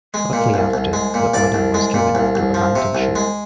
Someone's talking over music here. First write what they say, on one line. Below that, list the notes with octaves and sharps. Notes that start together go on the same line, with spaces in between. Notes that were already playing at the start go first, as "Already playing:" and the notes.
Shortly after, the order was given to abandon ship.
G#3
A#2
C2
C2
G#3
A#2
C2 D5
C2
G#3
A#2
C2
C2
F3
C3
C2
G#3